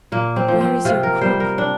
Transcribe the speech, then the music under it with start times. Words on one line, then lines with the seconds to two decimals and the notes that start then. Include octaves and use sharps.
"But where is your crook?"
0.12 A#2 A#3
0.36 C4
0.48 F3
0.61 C4
0.85 C3 F4
1.03 A#4
1.21 G3 C5
1.40 A#4
1.58 D4